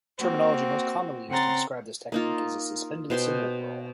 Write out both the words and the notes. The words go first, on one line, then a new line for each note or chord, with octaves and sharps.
The terminology most commonly used to describe this technique is a suspended cymbal roll.
A#3 C4 F#4
C#3 C4 F#5 A#5 C6 A6
A#3 D#4 F4
B2 C5 G5 C6